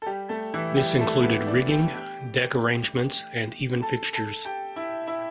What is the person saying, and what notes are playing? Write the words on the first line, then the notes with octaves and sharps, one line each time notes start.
This included rigging, deck arrangements, and even fixtures.
A4
G3 G4
A3 A4
E3 E4
G3 G4
A3 A4
B3 B4
D4 D5
G4 G5
G4 G5
A4 A5
A4 A5
G4 G5
E4 E5
E4 E5